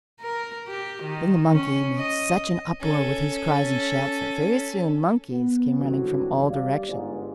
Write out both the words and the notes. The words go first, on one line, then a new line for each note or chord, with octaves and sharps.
Then the monkey made such an uproar with his cries and shouts that very soon monkeys came running from all directions.
A#4
G4
D#3
C#4
D#5
C#4 A4
B3
G2 D3 E3 F#3 C4 F#4
G3 D5 F5
G1 G#2